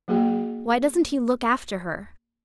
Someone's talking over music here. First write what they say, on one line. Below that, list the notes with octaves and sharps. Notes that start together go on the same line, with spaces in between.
Why doesn't he look after her?
F#3 A#3 F#4 G#4 G5